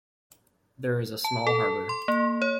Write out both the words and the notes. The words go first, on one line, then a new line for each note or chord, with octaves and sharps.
There is a small harbour.
A5
A4
C6
A#3
C#5